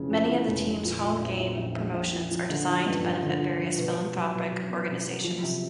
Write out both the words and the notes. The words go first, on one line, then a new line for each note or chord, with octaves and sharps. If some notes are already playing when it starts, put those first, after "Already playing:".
Many of the team's home game promotions are designed to benefit various philanthropic organizations.
Already playing: F1 F2 C#3 E3
F2
E3
F1
F1
A#2
A#2
A#1
A#1
A#1
A#1
A#1
A#2
F3
D3
F3
G2
F3
D3
F3
F3
B2
B2
F#3
B2
F#3
B3
B2
F#3
F3
C3